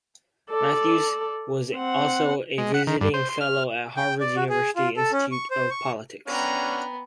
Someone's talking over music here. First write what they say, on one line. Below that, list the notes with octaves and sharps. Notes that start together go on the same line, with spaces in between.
Matthews was also a visiting fellow at Harvard University's Institute of Politics.
A4 D5
C4 F#5
G#3
F#5
D#3
G2
C5
C6
F6
G5
D5
F#4
G#4
F4
A4
C#4
C#6
C5
C#6
B3 C#4 D4 F#5 G5 A#5